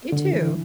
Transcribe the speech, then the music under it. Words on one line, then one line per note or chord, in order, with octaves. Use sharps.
You, too.
D3
E3